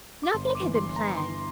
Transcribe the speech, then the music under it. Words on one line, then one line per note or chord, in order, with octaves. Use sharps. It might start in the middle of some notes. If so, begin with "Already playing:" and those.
Nothing had been planned.
D6
G1 C6
D6
E3
C6
G1
A#5
G1 C6